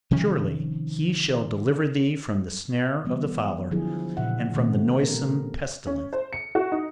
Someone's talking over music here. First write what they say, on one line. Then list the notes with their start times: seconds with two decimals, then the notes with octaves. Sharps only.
Surely He shall deliver thee from the snare of the fowler, and from the noisome pestilence.
0.11 C3 D#3 F3 C#4
3.05 E3 G3 B3
3.71 D3 F3 F#3 D4 E4 G#4
4.17 A#2 C#3 E5 F#5
4.54 B2 D#3 F3 A3 C4 C#4
5.01 B3 C4 D4 G4 A4 A#4
5.87 C#4
6.13 C5
6.33 C#7
6.55 F#4
6.72 D#4